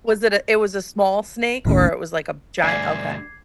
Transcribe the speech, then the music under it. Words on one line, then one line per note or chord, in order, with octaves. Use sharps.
Was it a it was a small snake or it was like a giant Okay.
D#1 B1 A2 D#3 A3 C#4
D2 G2 D5 E5 G#5 D6 G#6 C7